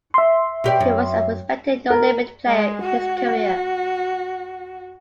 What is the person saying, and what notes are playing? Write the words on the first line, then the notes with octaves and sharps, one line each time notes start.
He was a respected no-limit player in his career.
E5 C6
B2 G4 D5
F#2
A#4
G#3
F#4